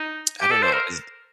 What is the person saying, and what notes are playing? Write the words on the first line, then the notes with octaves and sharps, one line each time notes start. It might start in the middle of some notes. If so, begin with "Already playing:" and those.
I don't know, is d
Already playing: D#4
G4
A4
C5
A#4